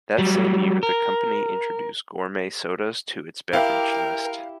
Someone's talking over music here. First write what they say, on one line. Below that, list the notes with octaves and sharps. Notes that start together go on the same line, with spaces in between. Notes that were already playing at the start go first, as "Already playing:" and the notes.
That same year, the company introduced gourmet sodas to its beverage list.
F#3 G3
A#4
E4 G4 A#4 F5 G5